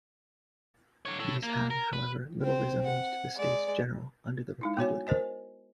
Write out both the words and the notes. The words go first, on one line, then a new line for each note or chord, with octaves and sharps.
These had, however, little resemblance to the States General under the Republic.
D3 C#5
A4 C#5
A#3
A#4
B4
C4 C5
F#5
G#3 D5
G#3 D#4 E4
B3 F#4 C#5 G#5
A#4 C5 D#5 G#5